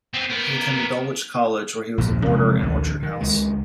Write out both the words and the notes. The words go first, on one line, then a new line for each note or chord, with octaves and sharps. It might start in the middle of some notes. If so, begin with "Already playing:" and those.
He attended Dulwich College where he was a boarder in Orchard House.
B3 C4
B3 A#4
A#1 D#2 G#2
E1 C3 F3 G#3
A1 D2 D3 D#3
D#3
C#2 D#3 G#3